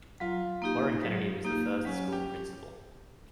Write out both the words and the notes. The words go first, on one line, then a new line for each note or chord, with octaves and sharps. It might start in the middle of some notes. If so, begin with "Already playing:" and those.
Warren Kennedy was the first school principal.
F#3 F4
A#3 D#4 G4
F#3
A#3 D#4 G4
F#3 C#4
G4